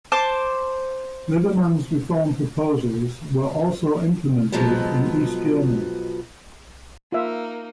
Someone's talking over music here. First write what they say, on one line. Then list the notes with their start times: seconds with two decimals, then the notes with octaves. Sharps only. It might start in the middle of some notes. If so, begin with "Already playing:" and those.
Liberman's reform proposals were also implemented in East Germany.
0.12 C5 A5 D6
4.52 F2 B2 F3 F#3 G#3 B3
7.12 A#3 D#4 F4 E5